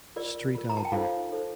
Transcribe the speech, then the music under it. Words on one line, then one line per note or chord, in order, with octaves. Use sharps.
Street album.
F4 A#4 D5
F4 A#4
A#5
A5
G5
D#4 F4 A4 C5 F5
D#4 A4 C5